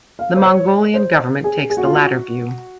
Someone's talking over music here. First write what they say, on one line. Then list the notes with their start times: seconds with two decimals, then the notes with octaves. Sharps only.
The Mongolian government takes the latter view.
0.19 F5
0.36 C5
0.44 C#5
0.94 C5
1.44 G#4
1.70 G#4
1.77 F#4
1.84 F4
1.93 F#4